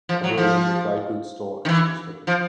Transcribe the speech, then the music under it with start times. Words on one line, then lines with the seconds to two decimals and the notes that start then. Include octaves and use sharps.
He operated a dry goods store and post office.
0.09 F3
0.24 F#3
0.37 F3
1.65 D#3
1.69 E3
2.27 F3